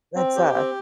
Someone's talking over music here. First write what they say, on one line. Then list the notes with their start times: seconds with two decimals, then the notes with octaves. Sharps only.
that's a
0.16 C4
0.36 G4
0.55 C4